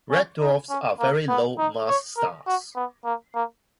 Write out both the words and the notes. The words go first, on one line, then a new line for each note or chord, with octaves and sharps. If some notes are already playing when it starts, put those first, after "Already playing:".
Red dwarfs are very-low-mass stars.
C#4
D#4
C#4
A#3
B3
D#4
C#5
A#4
F#4
B3
A#3
A#3